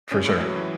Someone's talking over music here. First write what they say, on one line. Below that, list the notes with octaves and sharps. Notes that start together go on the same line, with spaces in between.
For sure.
A2 C#4
A2 G#3
E3 F#3
E3